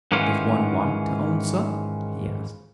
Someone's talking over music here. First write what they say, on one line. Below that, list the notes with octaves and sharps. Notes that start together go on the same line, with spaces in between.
"Does one want to own soot?" he asked.
G#2 D#3 E3 C#4 F4